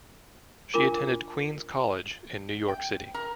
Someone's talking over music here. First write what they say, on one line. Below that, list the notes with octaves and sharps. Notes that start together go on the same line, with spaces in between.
She attended Queens College in New York City.
D4 F4 A#4 D6
G5
A#4